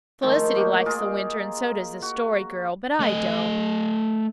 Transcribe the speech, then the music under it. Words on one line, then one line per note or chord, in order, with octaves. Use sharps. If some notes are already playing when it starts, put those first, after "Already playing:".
Felicity likes the winter, and so does the Story Girl, but I don't.
D#3 F3 G#3 A3
A3 A#3 F#4 G4
F4 G#4 A#4 D#5
F#4
A3 D#5